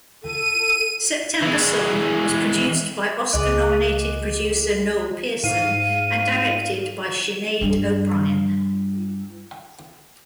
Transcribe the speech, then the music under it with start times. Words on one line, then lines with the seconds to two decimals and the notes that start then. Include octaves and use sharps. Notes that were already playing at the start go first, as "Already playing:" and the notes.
"September Song" was produced by Oscar-nominated producer Noel Pearson and directed by Sinead O'Brien.
0.23 A4 D#7
1.42 E3 G#3
3.33 C#2 G#4 D#5 D6 F#6 D#7
5.44 G#2 F5 D#7
7.61 G2 G3